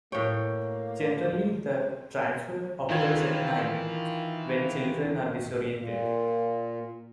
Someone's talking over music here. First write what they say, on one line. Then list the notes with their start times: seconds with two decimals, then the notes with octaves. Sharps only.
Generally the "transfer" occurs at night, when children are disoriented.
0.12 A2 A#3 C#5 G5
2.89 D#3 E3 F4 G#6
5.76 A#2